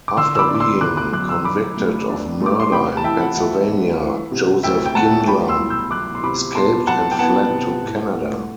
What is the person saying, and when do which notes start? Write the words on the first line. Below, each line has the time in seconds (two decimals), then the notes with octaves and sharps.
After being convicted of murder in Pennsylvania, Joseph Kindler escaped and fled to Canada.
0.08 D6
0.17 D3 C6 E6
0.35 E6
0.39 B5 D6
0.49 D4
0.54 D6
0.60 C6 E6
0.81 D3 D6 F#6
0.97 D6 F#6
1.13 F#2 D6 F#6
1.29 C6 E6
1.44 D4 B5 D6
1.77 A3
2.09 D4
2.41 A3
2.46 D6
2.60 C6
2.72 C3 G5 B5
2.97 A5
3.04 E3 E5 G5
3.21 F#5
3.36 D2 F#5
3.69 A3
4.01 E3
4.32 C3
4.63 D2 E5 G5
4.85 G5
4.95 A3 F#5 A5
5.27 F#3 G5 B5
5.48 C6 E6
5.60 C2
5.70 E6 G6
5.91 F#3 D6 F#6
6.15 C6
6.24 C3 B5 D6
6.55 B3 A5 C6
6.87 F#3 F#5 A5
7.11 G5
7.19 B3 F#5 A5
7.50 C3
7.82 A2
8.14 A3